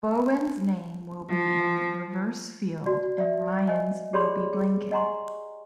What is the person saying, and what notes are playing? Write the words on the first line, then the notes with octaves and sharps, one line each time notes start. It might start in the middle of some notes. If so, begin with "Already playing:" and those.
Bowen's name will be in reverse-field and Ryan's will be blinking.
F3
F#4 D5
D5 E5
C5 D#5 G#5
G4 G#4 C#5 D5 B5 C6
G#4
D#5 F#5 G#5 A#5 C6 C#6